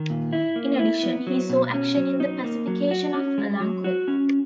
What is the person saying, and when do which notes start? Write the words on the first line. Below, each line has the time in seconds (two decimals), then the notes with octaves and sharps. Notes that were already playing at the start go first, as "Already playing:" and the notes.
In addition, he saw action in the pacification of Olancho.
Already playing: D#3
0.10 A#2
0.33 E4
0.56 A#3
0.79 E4
1.03 B3
1.27 F#3
1.50 B2
1.74 C#4
1.96 F#3
2.20 D#4
2.44 A#3
2.67 F#3
2.91 F#4
3.14 C#4
3.38 G#3
3.60 F#3
3.84 F#4
4.08 C#4